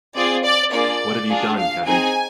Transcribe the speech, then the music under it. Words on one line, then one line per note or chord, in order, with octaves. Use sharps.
What have you done Kevin?
C4 F4 G#4 D5
D5
A#3 D4 F4 G#4 D5
D4 F4 G#4
F5
C4 D#4 G#4 G#5